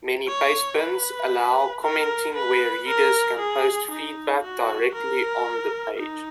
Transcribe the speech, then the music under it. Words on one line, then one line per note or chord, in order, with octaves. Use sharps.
Many pastebins allow commenting where readers can post feedback directly on the page.
C#5
B4
A#4
B4
A#4
G#4
D#4
F#4
A#4
D#4